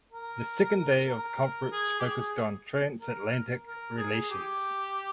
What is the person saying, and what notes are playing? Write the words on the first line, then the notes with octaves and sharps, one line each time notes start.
The second day of the conference focused on transatlantic relations.
A#4
A#4
G#4
G4
G#4
A#4
A#4
G#4
G4